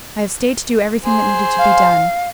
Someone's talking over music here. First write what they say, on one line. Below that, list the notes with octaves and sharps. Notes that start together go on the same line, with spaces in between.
I have stayed to do everything that needed to be done.
G#4 C5
F5